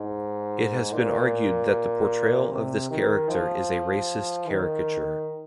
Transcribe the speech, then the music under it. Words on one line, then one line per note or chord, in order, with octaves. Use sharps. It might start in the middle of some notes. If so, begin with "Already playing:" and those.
It has been argued that the portrayal of this character is a racist caricature.
Already playing: G#2
A#2
C3
D#3
F3
D#3